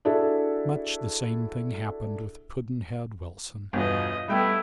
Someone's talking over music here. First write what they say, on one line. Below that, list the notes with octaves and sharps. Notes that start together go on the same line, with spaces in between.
Much the same thing happened with PUDD'NHEAD WILSON.
D4 E4 F#4 G#4 A4 E5
G1 E2 B2 F4 D#5
G3 A3 B3 E4 G5